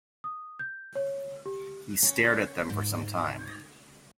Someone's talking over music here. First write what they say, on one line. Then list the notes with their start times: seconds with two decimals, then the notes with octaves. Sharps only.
He stared at them for some time.
0.24 D#6
0.59 G6
0.95 C#5
1.46 G4
2.03 C#4
2.70 G#2